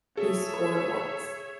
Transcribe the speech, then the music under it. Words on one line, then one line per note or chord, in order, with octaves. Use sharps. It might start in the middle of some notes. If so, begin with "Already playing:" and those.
He scored once.
G#4 A4 C#5 E5